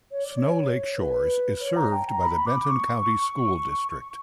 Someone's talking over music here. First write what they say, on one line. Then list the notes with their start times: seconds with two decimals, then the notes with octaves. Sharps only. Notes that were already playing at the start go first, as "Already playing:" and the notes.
Snow Lake Shores is served by the Benton County School District.
0.11 C#5
0.24 D5
0.36 C#5
0.96 B4
1.59 C#5
1.75 A#5
1.92 G5
2.08 A#5
2.23 B5
2.45 D6
2.67 C#6